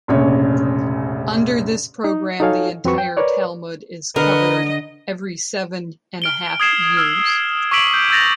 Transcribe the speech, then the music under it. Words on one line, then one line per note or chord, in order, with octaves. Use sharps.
Under this program, the entire Talmud is covered every seven and a half years.
F1 A#1 C#3 C#5
D#4
D#4 F#4 A4 C#5 F5 G#5
F2 C4 F#4 B4 C#6
G5
A#4 B4 C#5 D5
D3 A#4 B4 D#5 F#5
F6 D7 G7
D#6 G#6 C7 E7
E6 F6
C#6 D6 E6 B6 D7 F#7
G6
E6 G6 A6 A#6 F7